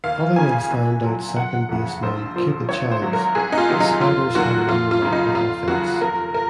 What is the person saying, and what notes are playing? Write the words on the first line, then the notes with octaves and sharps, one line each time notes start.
Other than standout second baseman Cupid Childs, the Spiders had an unremarkable offense.
D#2 F5
C#3 F3 G#5
C2
A#2 F#3
F#1 F#5
F2 C#3
A#1 C5
A#2 F3 C5
G#1 C#5
C5
G#2 F#3
A#4
C2 G#4
D#4
F4
C3 D#3 F#3
D#4
F1 F4
D#2 D#3 F#3 F#4
F2 F4
F4
C#3 F#3
D#4
F1 F4
D#2 C#3 F#3 F#4
F1 A#4
A#4